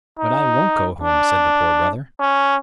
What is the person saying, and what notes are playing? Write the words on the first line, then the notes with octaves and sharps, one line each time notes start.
"But I won't go home," said the Poor Brother.
D#4
D4
C#4